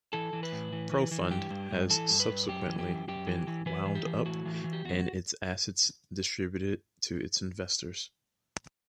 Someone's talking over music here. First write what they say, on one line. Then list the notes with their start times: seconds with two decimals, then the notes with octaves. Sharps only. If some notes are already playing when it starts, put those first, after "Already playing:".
Profund has subsequently been wound up and its assets distributed to its investors.
0.13 E3 A4
0.33 E3
0.43 B4
0.52 A2
0.72 E3
0.92 E3
1.11 E3
1.31 G2 G4
1.50 G2
1.71 G2
1.90 E3 A4
2.10 G2
2.20 B4
2.29 G2
2.49 F#2 G4
2.68 E3
2.79 G4
2.88 F#2
3.08 F#2 G4
3.27 E3
3.47 E3
3.66 E3 B4
3.86 E3
3.95 G4
4.06 E3
4.26 A2 F#4
4.45 E3
4.55 F#4
4.64 E3
4.73 G4
4.85 E2 F#4